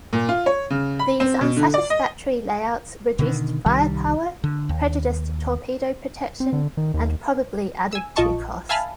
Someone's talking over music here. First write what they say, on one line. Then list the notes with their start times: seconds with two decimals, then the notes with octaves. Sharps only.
These unsatisfactory layouts reduced firepower, prejudiced torpedo protection and probably added to cost.
0.13 A#2
0.29 F4
0.46 C#5
0.70 C#3
0.99 B5
1.20 C4
1.41 B2
1.57 D3
1.74 D5
1.90 D#5
3.19 B2 D3 D#3
3.66 C2 D#3 G3
4.44 D3
4.69 D#2
6.40 C4
6.53 D3
6.77 D#3
6.94 D#2
7.93 G#5 E6
8.16 A#1 F4 D#5 A5 C#6
8.69 E5 F5 G#5 A5 B5 F6